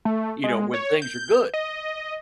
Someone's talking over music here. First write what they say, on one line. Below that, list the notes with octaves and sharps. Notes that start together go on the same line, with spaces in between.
you know, when things are good,
A3
G#3
C#5
G6
D#5